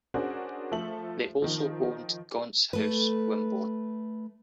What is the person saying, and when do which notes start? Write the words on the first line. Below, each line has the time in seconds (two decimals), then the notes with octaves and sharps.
They also owned Gaunts House, Wimborne.
0.14 C#4 D4 F#4 G#4 A#4 C5
0.72 F3 A3 A4 E5 F#7
1.42 D#3 F3
2.73 A3 B4